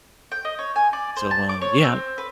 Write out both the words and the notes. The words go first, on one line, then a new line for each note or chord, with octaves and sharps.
So, um, yeah.
G5
D#5
C#5
G#5
D5
C5
A5
D6
C#5
C4
B4